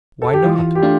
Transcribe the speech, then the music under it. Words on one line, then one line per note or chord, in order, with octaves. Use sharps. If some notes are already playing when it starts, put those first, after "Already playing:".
Why not?
A4
G4
E3 F4
G4
A3 D4 F4